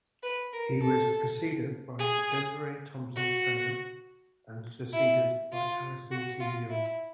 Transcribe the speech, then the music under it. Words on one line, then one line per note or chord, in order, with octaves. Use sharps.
He was preceded by Desiree Thompson Sayle and succeeded by Alison T. Young.
B4
A#4
A4
G#4
F#4
E4
F4
F#4
F4
E4